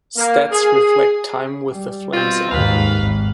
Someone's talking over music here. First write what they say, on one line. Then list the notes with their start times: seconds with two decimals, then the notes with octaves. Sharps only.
Stats reflect time with the Flames only.
0.17 A#3
0.51 G#4
1.70 G3
2.13 B2 C4 F4
2.52 D#2 G#2 B4 F5
3.02 G#1